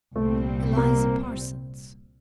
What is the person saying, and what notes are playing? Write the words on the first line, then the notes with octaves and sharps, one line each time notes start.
"Eliza Parsons."
C2 A#2 G3 A3 C4
A#3